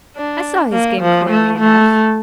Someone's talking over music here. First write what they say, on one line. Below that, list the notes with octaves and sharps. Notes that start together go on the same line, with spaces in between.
I saw his game clearly enough.
D4
A#3
F3
A3
A3